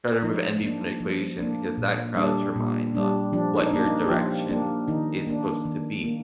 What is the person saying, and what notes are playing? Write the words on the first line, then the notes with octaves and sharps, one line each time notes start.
Try to remove envy from the equation because that crowds your mind on what your direction is supposed to be
F3 D#4
A#3 D4
F3
A#3 D4
A#2
G3 D4
A#2
G3 D4
F3 D4
D#4
A#3 D4
D#4
G4
F3 F4
A#3 D4
D#3 D#4
A#3 D4
D#3
A#3